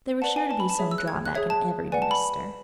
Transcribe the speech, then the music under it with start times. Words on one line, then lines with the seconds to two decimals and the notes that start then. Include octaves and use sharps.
There was sure to be some drawback in every minister.
0.22 B4 D5 F#5 A5
0.36 G#5
0.51 A5
0.60 B5
0.70 A5
0.79 G#4 C#5 E5
0.91 E6
0.98 F#6
1.08 G#6
1.26 F#6
1.35 G#4 C#5 E5 G#6
1.50 A5
1.92 B4 D5 F#5 G#5
2.02 A5
2.11 B5